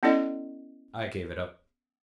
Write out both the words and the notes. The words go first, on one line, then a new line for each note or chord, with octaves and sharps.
I gave it up.
B3 C#4 E4 A4 D5 D#5